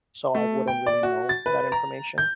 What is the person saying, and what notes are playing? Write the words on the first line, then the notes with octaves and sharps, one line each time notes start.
so, I wouldn't really know that information.
A3
G5
D5
F#4
A6
B4
A#5
G6